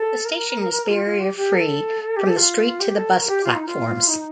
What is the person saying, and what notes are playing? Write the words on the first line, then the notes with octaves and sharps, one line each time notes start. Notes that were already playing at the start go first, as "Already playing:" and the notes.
The station is barrier free from the street to the bus platforms.
Already playing: A4
A#4
F4
F4
G4
G4
A#4
A4
G4
A4
F4
G4
A4
A#4
G4
F4
D#4
F4
D#4